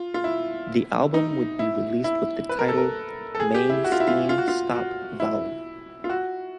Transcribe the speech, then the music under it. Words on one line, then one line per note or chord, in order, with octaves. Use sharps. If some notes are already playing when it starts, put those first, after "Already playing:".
The album would be released with the title "Main Steam Stop Valve".
Already playing: F4
F4
E4
D#4
E4
E4
B4
A#4
A4
A#4
A4
G#4
G4
E4
F#4
F4
E4
F4
F4
F#4
F4
F#4
E4
F4
F#4